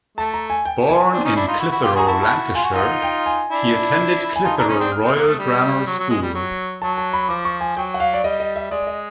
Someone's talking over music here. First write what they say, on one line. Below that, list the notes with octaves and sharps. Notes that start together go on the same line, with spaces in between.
Born in Clitheroe, Lancashire, he attended Clitheroe Royal Grammar School.
A3 A5
A#5
G#5
G5
G#5
C4 D4
C#4 D#4
D4 E4
D#4 F4
E4 F#4
E4 F#4
F4 G4
F#4 G#4 A#5
E4 F#4 A5
A5
F4 G#5
F#4
D#4 F4
F#5
G5
G#5
D4 E4
E4 G#5
D#4 F4 A5
D4 E4 A#5
C#4 D#4
C4 D4 D#6
F6
C4 F6
A#3
A3 D#6
G3
F#3
F#3
G#3
G3
F#3
F#3 A5
A5
B5
F3 D6
C#6
G#5
F#3 G5
F#5
F5
D5
G3 D#5
D#5
E5
G#3 D5
D#5